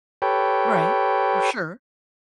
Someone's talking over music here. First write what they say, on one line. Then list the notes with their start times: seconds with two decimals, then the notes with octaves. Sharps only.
Right, r sure.
0.22 G4 A4 B4 C#5 G5